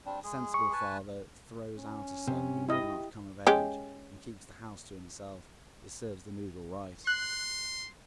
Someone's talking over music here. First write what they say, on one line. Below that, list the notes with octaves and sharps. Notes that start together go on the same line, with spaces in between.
A sensible father throws out a son who will not come of age, and keeps the house to himself; it serves the noodle right.
G3 C4 D4
G#3 G#4
C#6
B4 G#5 A5
C#4
C3
E4 G4 D#5
G#3 C#4 G4
C6 F#6